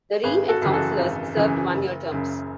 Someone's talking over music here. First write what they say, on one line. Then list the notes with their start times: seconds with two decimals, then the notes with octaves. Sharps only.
The reeve and councillors served one-year terms.
0.24 G#1 G#4 B4
0.48 F#4 A4
0.62 F#2 C#3 E3
0.73 F#4 A4
0.99 G#1
1.37 F#2 C#3 E3
1.74 F#1
2.11 F#2 C#3